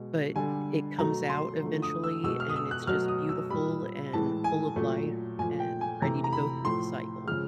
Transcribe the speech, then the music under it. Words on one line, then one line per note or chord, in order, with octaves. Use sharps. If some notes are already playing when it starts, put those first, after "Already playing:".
but it comes out eventually, and it's just beautiful, and full of life, and ready to go through the cycle.
Already playing: B2 G#3
D3 G3 G#5
B2 F#3 A3 A#5
C6
D3 F3 A3
D#6
E6
B2 G#3 E6
F6
D#6
E6
F#6
B2 F#3 A3 F6
D#6
E6
A#2 G3 B5
A2 E3 G#3 A5
G#5
A#2 F#3 A3
A#2 F3 A3 G#5
G5
G#5
C3 E3 A3 A#5
A#5
B5
A2 F3 A3 C6
C#3 F3 G#3 F6